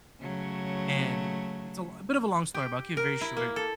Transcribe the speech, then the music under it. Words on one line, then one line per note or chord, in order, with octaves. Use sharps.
and it's a l a bit of a long story, but I'll keep it very short.
C#3 F#3 A3
G4
A#4
E4
A#3
A4